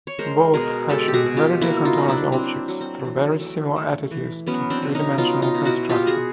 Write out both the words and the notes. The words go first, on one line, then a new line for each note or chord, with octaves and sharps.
Both fashion very different art objects through very similar attitudes to three dimensional construction.
C#5
G#3 A#4 C5
B2 G#4 A#4
G#3 G4 A4
G4
F#4 G#4
B2
F4 G4
A#3 E4 F#4
D#4 F4
F#3
D4 E4
A#3 C4 D4
F#3
C4
E3
A3
A3
E3
F#3 B3 C#4
C4 D4
B2
C#4 D#4
B3 D#4 F4
D#4 F4
B2
E4 F#4
B3 F4 G4
F#4 G#4